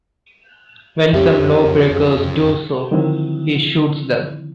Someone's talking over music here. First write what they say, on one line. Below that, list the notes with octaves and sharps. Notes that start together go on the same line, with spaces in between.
When some lawbreakers do so, he shoots them.
F2 C#4 G4 E5
D3 D#3 F3 F#3 C4 E4